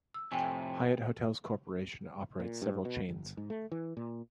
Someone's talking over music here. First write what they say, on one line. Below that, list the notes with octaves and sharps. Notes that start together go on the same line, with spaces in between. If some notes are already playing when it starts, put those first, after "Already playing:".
Hyatt Hotels Corporation operates several chains.
E6
F2 A2 C3 G5 G#5
A#2
G2
B2
G1
G#2
A3
E3
A#2